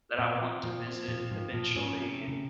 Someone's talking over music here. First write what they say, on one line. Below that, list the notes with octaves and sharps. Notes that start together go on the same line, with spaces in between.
that I want to visit eventually and,
A#2 C4
F3
A#2 F3
C4
A#2 F3
G#2 F3
A#2 F3
G#2 C#4
C3
C3
C#3